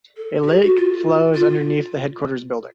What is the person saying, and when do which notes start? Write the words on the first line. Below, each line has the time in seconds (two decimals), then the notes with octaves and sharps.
A lake flows underneath the headquarters building.
0.17 A4
0.43 F#4
0.47 G4
0.62 F#4
0.76 F4
1.35 F4